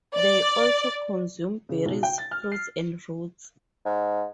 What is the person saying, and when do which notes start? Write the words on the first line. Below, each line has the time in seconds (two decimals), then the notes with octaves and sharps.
They also consume berries, fruits, and roots.
0.15 D5
1.69 C#3
1.85 B1
2.03 G5
2.18 A6
2.31 F6
2.52 C7
3.85 G#2